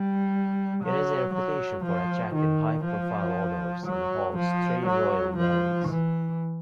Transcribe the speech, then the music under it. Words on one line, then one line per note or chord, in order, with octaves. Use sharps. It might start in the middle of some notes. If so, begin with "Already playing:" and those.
It has a reputation for attracting high-profile authors and holds three Royal Warrants.
Already playing: G3
F#3
F#3
F3
D#3
F3
F#3
F3
F#3
F3
E3